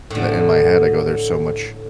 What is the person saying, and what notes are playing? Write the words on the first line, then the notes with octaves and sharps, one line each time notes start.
that in my head, I go "There's so much
A2 D3